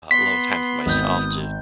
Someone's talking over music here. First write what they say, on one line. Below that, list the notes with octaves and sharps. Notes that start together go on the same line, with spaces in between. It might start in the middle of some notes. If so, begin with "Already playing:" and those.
alone time for myself to
B3 C6 B6
G#1 D#6 G6